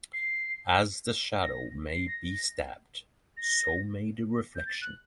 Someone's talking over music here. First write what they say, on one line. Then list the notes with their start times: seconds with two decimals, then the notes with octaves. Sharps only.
As the shadow may be stabbed, so may the reflection.
0.13 C7
1.43 A#6
1.94 C7
2.08 A#6
3.37 A#6
4.55 G6
4.66 A6
4.82 F#6